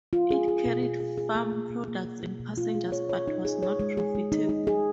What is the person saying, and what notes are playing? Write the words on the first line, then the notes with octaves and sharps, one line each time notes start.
It carried farm products and passengers but was not profitable.
F4
G#4
G#4
B2
G#4
G#4
G#4
A#3
A#3
B2
A#3
A#3
B2
B2
F4
G#4
C#5
C#5
D#4
G#4
C#5
G#3
G#4
G#3
D#4
D#4
G#4